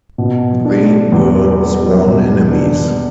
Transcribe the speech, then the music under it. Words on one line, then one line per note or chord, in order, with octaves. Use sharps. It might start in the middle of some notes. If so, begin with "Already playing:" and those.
They were sworn enemies.
B2
D4
E2
G3
B2
D4